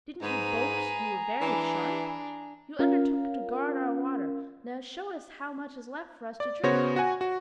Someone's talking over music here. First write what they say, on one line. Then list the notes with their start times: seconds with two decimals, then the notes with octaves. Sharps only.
Didn't you boast you were very sharp? You undertook to guard our water; now show us how much is left for us to drink!'
0.22 G#2 G#4 B4 A#5 D#7
1.41 E3 D4
2.79 C#4 F4 A#4 F5
6.40 D5
6.63 C#3 B3 F#4 C5 C#5 A#6
6.96 F#4 F#5 G#5
7.21 F#4